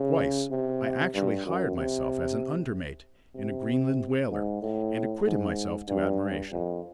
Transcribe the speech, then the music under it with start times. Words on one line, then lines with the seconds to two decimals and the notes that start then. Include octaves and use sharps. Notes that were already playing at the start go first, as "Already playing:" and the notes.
Twice I actually hired myself as an under-mate in a Greenland whaler, and acquitted myself to admiration.
Already playing: C#3
0.51 C3
1.14 G2
1.46 F#2
1.77 C3
3.35 C3
4.30 G#2
4.62 A2
5.25 G#2
5.88 G2
6.52 F2